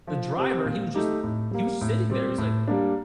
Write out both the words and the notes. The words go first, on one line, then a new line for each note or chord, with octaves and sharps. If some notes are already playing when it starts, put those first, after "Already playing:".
the driver, he was just he was sitting there. He was like
F3
C4 G4
A#2
A3 D#4 G4
A2
G3 A#3
A2
G3 C4 G4
A2
G3 A#3 D4